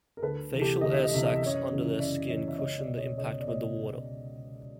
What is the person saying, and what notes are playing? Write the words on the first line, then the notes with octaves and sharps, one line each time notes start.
Facial air sacs under their skin cushion the impact with the water.
A#4
D2 A4 B4
C3 E3
G4 A4
D2 D#5
E5
D#5
C3 E3 E5
D#5
E5
F#2
C#5 D#5
C#3 E3
F#2 D5 E5
C#3 E3 C#5 D#5
E5
C#2 C#5 D#5
D5 E5
B2
C#5 D#5
C#2 C#5 D#5
D5
B2 C#5 D#5